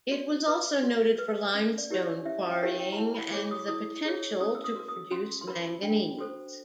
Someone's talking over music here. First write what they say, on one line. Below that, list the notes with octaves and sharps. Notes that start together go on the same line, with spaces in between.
It was also noted for limestone quarrying and the potential to produce manganese.
F#4 D5
B4
F#4
B4
C#4
D5
E4 G4 A#4 C#5
D5
C#4 E5
G5
E4 G4 A#4 C#5 F#5
G5
A#5
E4 A5
B5
G#4 C#5 D6
D#6
E4 D#6
G#4 C#5
C#4 D#6
E6
D#6
F#4 A#4
D#6
C#4 C6
C6
F#4 A#4 B5
D4 G5
F#4 A4 C5